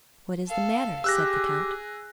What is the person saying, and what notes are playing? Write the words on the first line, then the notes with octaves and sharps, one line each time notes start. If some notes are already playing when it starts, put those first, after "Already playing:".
"What is the matter?" said the count.
A4 F5
G4 G#4 E6 F#6 A#6